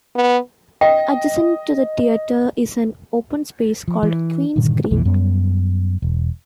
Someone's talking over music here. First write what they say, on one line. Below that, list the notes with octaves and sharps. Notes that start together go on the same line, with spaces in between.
Adjacent to the theatre is an open space called Queen's Green.
B3
D#5 G5
F3
E3
G2 A#2 D3 D#3
B1 F2 B2 E3
F#2 G3 B3
E1